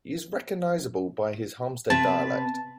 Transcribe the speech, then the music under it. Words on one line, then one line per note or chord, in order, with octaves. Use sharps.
He is recognizable by his Halmstad dialect.
C3 B4 A5